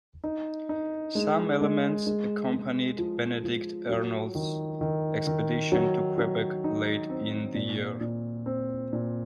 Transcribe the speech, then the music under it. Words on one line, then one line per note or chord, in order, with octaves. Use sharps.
Some elements accompanied Benedict Arnold's expedition to Quebec late in the year.
D#4
D#4
G#3
G#3
G#3
G#3
F3
F3
F#3
D#3
D#3
D#3
F#3
F#3
D#4
C4
A#2
A#2
C4
A#2